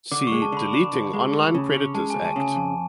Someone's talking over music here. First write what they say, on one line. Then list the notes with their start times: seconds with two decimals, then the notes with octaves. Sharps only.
See Deleting Online Predators Act.
0.12 D3 D6
0.27 C#6
0.32 G#3
0.42 A5
0.52 D3 B5
0.73 D4
0.93 D3
1.13 G#3
1.34 D2
1.54 C#3
1.75 C#4
1.94 G#3 A5
2.10 G#5
2.15 D2
2.25 A5
2.36 C#3
2.41 G#5
2.56 F2 A5